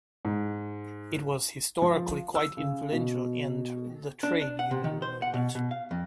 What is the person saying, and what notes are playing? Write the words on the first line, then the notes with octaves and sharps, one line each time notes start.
It was historically quite influential in the trade union movement.
G#2
F3
E6
C#3
B2
D4
D4
F#5
C3
D#3
C5
F#5
B2
B2
F5
F2